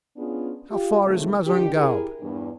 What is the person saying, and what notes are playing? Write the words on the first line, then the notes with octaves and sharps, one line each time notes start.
"How far is Mazingarbe?"
B3 C#4 D4 F4 G#4
F4 G4
C3 D#3 F#3 G#3 A3
D3 D#3 G4
E4 G4 G#4 A#4
E2 G2